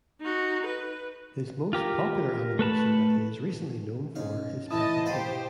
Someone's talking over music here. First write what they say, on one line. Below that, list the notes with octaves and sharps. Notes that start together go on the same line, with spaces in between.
His most popular animation that he is recently known for is Peppa Pig.
D#4 F#4
B4
F4 G4 A#4
A3 B4 A5 B5
G#2 B2 C#4 D#4 F5
A2 E3 D#5 A5 D#6
G#2 B2 G4 C5 F5 A5 B5